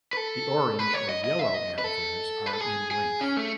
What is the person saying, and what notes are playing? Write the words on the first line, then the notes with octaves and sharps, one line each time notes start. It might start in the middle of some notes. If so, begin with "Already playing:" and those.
The orange or yellow anthers are in length.
B4
A4
B4
C#5
D#5
D#5
E5
D#5
B4
A4
B4
A4
G#4
G#4
C#4
A3